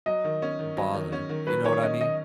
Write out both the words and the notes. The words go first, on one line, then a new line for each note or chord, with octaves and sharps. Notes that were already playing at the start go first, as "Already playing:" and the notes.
balling, you know what I mean?
F#3 D#5
D#3
C#4
D#3
F#3
D#3
C#4
D#3
F#3 B4
D#3 C#5
C#4 D#5
D#3 D#5